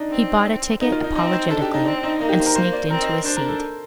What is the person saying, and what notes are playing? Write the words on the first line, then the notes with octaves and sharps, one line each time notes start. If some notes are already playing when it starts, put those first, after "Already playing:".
He bought a ticket apologetically and sneaked in to his seat.
Already playing: D4 D#4
C4
A#3 D#4
F4
D#4
C4 D#4
C5
D4 A4
G4
D#4
C4 D4
D4
D#4
A#3 D#4
G4
C5
A#4
A#3 C5
D5
C4 A#4
D#5
D4 C5
A#4
A4